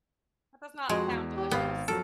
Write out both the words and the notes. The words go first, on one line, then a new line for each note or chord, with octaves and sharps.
That does not sound delicious.
F2 G#3 F#4 C6 D7
E2
G4
G#1 B3 F5
F#2 F3 F#3 A4 F6